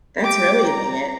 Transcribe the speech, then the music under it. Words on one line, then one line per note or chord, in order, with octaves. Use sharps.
That's really neat.
G4 D6
A#5